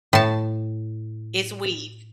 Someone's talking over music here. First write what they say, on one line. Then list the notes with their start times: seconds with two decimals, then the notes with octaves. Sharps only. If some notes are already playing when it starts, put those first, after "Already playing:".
It's weave.
0.13 A2 A5